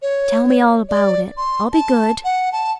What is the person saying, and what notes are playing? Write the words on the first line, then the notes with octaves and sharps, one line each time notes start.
"Tell me all about it; I'll be good."
C#5
D5
C6
A5
F#5
A5